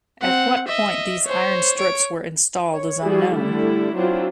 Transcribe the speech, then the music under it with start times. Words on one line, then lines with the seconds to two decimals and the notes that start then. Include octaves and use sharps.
At what point these iron strips were installed is unknown.
0.21 C4 F#5
0.68 D#5 E5
1.25 C5 C#5
1.77 C#5 D7
2.74 C#5
3.03 G3 E4 F#4 G#4
3.35 D3 G3 A3 E4
3.95 F#3 C4 D4 E4 F4